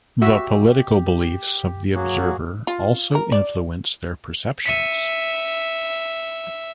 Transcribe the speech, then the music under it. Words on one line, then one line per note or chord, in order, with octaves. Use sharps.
The political beliefs of the observer also influence their perceptions.
F#4 G4 E5
F#3 A#3 F#4 G#4
F4
A#4
D5
E5 B6 C#7 D#7